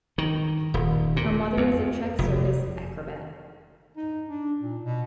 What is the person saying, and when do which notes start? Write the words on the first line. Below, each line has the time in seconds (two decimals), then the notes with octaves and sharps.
Her mother was a Czech circus acrobat.
0.18 D#3
0.74 D#1
1.16 A#2
1.57 F2
2.19 F1
3.97 D#4
4.29 D4
4.61 A#2
4.84 B2